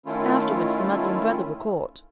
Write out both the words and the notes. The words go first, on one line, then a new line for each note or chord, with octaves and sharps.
Afterwards the mother and brother were caught.
D#3 A3 C#4 E4 F4